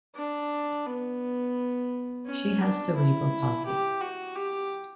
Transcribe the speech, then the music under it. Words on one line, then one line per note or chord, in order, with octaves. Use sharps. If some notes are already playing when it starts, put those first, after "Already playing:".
She has cerebral palsy.
D4
B3
C#4
D4
E4
G4
F#4
G4